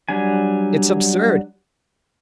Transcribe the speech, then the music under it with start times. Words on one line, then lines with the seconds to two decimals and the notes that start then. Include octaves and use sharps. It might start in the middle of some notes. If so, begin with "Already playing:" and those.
It's absurd!
0.09 F#3 G3 D4 G#5